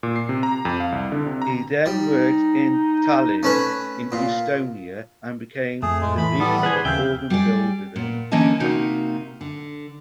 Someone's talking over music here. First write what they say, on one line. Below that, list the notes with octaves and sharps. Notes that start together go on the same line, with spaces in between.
He then worked in Tallinn in Estonia and became the leading organ builder there.
A#2
C7
C3
A#5
F2
F5
C2
D3
C3
A#5
G3 D#4
A3 C#4 B4
A#2
F2 A3 G#4
A2 G#3
E3 B5
G3 B3 A4
G#4 A4 B4 C5 G#5
D#2 C#3 F3 E5 F5 G5 G6
G3 G4 G#4 D5
A#2 B3
D3 E3 A#3 C#4 D#5 A5
C3 A#3 D#4 F#4
D3